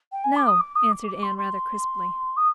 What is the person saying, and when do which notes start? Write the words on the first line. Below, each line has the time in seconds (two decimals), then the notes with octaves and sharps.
"No," answered Anne, rather crisply.
0.12 G5
0.23 G#5
0.36 D6
0.48 D#6
0.60 D6
0.75 D#6
0.91 D6
1.07 D6
1.23 C6
1.37 C6
2.36 D#6